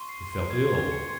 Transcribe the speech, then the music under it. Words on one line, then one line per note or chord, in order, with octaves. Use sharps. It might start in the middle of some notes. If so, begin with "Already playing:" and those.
He felt ill.
Already playing: C6 C#6
C7
C7
G#6
G#6
C#7